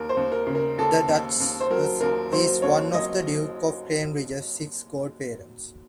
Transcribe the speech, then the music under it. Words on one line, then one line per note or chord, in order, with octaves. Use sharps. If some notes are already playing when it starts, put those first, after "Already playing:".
The Duchess is one of the Duke of Cambridge's six godparents.
Already playing: D#2 A#4
C5
D#2
A#4
C#3
A#4
D#2 A4
D#2
D#2
C5
F#3 A#4
D#2 A#4
F#3 C5
D#2 C#5
F#3 D#5